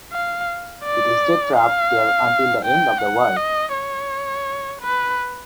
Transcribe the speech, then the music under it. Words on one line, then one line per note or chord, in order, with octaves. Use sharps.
It stayed trapped there until the end of the war.
F5
D5
F5
G5
F#5
D#5
C#5
B4